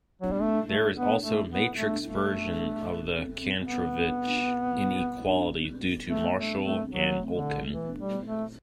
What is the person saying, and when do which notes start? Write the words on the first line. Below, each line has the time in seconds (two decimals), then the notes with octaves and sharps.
There is also Matrix version of the Kantrovich inequality due to Marshall and Olkin.
0.22 F#3
0.32 G3
0.41 A3
0.68 A3
0.96 B3
1.23 A3
1.50 B3
1.76 A3
2.03 A3
3.66 B3
6.09 A3
6.37 A3
6.63 A3
6.91 F#3
7.32 D3
7.72 E3
7.99 G3
8.26 A3